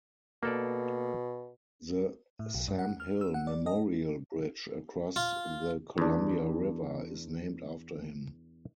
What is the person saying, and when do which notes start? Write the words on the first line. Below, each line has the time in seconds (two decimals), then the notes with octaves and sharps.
The Sam Hill Memorial Bridge across the Columbia River is named after him.
0.43 B2 A#3 A4 D5
2.39 A2
2.54 B1
2.68 G2
2.79 F#5
3.00 F6
3.21 E6
3.34 F#5
3.47 D5
3.66 D#5
5.16 F4
5.98 E2 D4